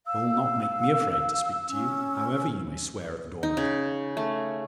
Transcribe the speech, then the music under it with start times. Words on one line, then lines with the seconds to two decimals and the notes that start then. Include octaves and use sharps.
You'll not make me afraid to speak to you, however you may swear at the door-mat.
0.06 F5 E6
1.68 C#4
3.43 D#4
3.57 C#3
4.17 A3